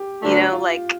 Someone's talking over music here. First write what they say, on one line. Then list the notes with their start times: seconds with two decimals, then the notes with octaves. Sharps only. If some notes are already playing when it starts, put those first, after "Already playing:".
you know, like
Already playing: G4
0.22 D2 D3 A3 D4
0.52 F4